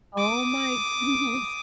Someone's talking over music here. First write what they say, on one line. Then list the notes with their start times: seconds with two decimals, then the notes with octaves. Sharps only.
Oh my goodness.
0.18 D6 D#6